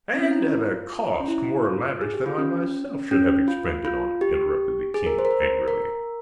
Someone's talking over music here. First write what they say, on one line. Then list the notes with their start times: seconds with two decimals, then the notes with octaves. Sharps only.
"And at a cost more lavish than I myself should have expended on it," interrupted the king angrily.
0.14 C4
0.18 C#4
0.31 E4
0.42 F4
1.20 C#4
1.28 E4
1.65 F4
2.01 G#4
2.14 G4
2.26 F4
2.38 C#4
3.11 C#4
3.48 F4
3.85 F4
4.21 G4
4.94 G#4
5.06 A#4
5.19 C5
5.25 A#4
5.31 C5
5.68 A#4